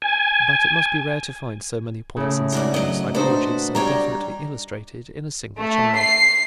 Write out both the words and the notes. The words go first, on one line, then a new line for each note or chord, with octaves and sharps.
But it must be rare to find so many points in sexual psychology so definitely illustrated in a single child.
G#5
A2 C#3
G#2 F#4 D5
F#3 D#5
D4 D#4 F#4 B4 C5
G3 C#5 D5 A#5
A3
C7